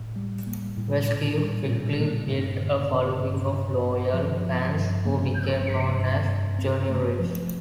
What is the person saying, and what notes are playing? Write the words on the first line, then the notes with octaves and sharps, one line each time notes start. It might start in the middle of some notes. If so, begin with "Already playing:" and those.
Vasquez quickly built a following of loyal fans who became known as "Juniorites".
Already playing: A2
G3
A#3
A2
A#2
G3
A#2
A#3
G2
D3
C4
G2
G2
G2
F3
F3
G2
A#3
G1
G2
G2
G2
C4
A3
F3